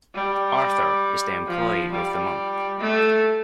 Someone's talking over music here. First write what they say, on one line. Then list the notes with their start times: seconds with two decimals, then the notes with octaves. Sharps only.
Arthur is the employee of the month.
0.15 G3
1.48 F3
1.92 G3
2.80 A3